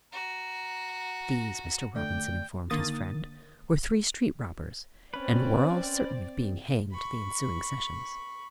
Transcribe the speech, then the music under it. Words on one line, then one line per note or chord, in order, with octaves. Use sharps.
These, Mr. Robinson informed his friend, were three street-robbers, and were all certain of being hanged the ensuing sessions.
F#4 A#5
A#6
D3 A3 D5 G5
D3 D#3 A#3 D#6 A6
C4 C#4 B4 D5
B5 C#6